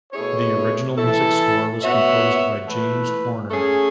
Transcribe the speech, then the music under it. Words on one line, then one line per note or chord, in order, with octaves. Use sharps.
The original music score was composed by James Horner.
B2 A3 E4 G#4 C#5
E3 A3 E4 A4
B3 F#4 C#5 E5
E3 A3 E4 B4
A3 C#4 G#4